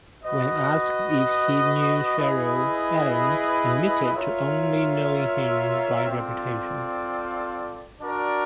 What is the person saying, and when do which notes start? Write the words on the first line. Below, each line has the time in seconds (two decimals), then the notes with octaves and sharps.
When asked if he knew Shero, Allen admitted to only knowing him by reputation.
0.23 F#4 B4 D#5
2.18 E4 G#4 B4 D#5
4.13 F4 A#4 C#5 E5
6.06 C4 F4 A4 D5
8.01 D4 F#4 A#4 D5